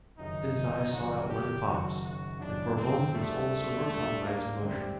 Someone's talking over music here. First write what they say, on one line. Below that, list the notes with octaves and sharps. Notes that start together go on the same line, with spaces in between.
Then his eyes sought out Running Fox, and for a moment he was almost overcome by his emotion.
F#1 F#2 D#3 F#3 D#4
F#1 F#2 D#3 F#3 F#4
G4
F#1 F#2 D#3 F#3 F#4
F#4
F#1 F#2 D#3 F#3 D4
C4
D2 D3 G3 A3 D4
D2 D3 G3 A3 D4
A#3
D2 D3 G3 C4 D4